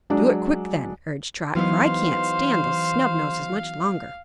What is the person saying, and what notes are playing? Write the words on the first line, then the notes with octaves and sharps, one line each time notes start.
"Do it quick, then," urged Trot, "for I can't stand those snubnoses much longer."
F#3 G#3 D4
E3 F#3 B3 D#4 C5 F5